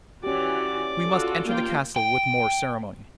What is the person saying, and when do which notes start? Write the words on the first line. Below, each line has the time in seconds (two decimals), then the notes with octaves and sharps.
We must enter the castle with more ceremony.
0.24 E3 C#4 F#4 G4 D5
1.06 F4 F#4 A4
1.46 A#3 F4 G5
1.96 G5